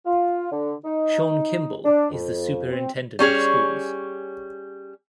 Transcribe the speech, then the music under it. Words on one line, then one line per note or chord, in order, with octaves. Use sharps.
Shawn Kimble is the Superintendent of Schools.
F4
D3
D#4
D4
F2
C4
G3 C#4 G#4 C#5